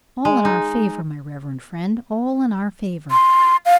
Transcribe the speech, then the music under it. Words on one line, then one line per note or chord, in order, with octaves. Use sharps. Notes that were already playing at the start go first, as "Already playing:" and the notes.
All in our favor, my reverend friend--all in our favor!
G#3
D#4
C6
F5